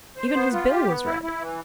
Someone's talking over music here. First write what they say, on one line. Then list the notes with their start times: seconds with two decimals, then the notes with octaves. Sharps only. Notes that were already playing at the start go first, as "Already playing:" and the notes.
Even his bill was red.
0.17 C5
0.34 B3
0.53 F4
0.70 G4
0.87 B3
1.06 E4
1.23 E4
1.40 E3